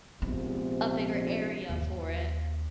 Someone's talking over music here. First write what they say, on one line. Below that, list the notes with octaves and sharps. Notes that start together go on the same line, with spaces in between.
a bigger area for it,
A#1 G#2 C3 B3
D#2